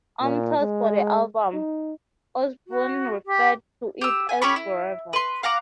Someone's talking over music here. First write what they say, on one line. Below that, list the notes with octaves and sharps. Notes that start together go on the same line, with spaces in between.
On tours for the album, Osbourne referred to it as "Forever".
A#2
G#3
D#4
F#4
G4
G4 E6
G#5
C#4 G4 B5 C#6
E4
B4 C6
F5 F#5 A#5 D6